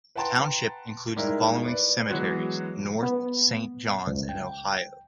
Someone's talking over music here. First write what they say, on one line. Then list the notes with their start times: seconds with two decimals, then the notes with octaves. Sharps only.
The township includes the following cemeteries: North Saint Johns and Ohio.
0.16 B4 F#5 G5 A5 A#5 C6
1.16 G3 G#3 D#4 E4 A#4
1.65 B4 D5
2.10 E3 F#3 G#3 B3 F#4
3.03 B3
4.07 C#2
4.29 G5